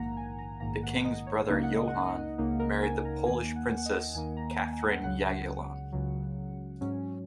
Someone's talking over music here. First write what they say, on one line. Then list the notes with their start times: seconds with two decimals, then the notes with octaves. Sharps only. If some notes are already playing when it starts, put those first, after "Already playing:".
The King's brother Johan married the Polish princess Catherine Jagiellon.
Already playing: A#1 G#2 D#3 A#3 F#5 A#5
0.17 G#5
0.39 A#5
0.60 A#1 G#2 D#3 A#3 A#5
0.83 F#5
1.04 D#5
1.27 C#5
1.49 C#2 C#3 A#3 D#4 D#5
1.63 F#5
1.76 D#5
1.88 F#5
2.02 D#5
2.38 C#2 C#3 A#3 D#4
2.59 A#4
2.82 G#5
3.05 A#5
3.26 D#2 D#3 A#3 G#5
3.56 F#5
3.78 F#5
3.86 D#5
4.14 D#2 D#3 A#3 G#5
4.37 A#5
4.59 G#5
4.81 F#5
5.03 C#2 C#3 F#3 F#5
5.92 C#2 C#3 F#3
6.81 G#2 F#3 C#4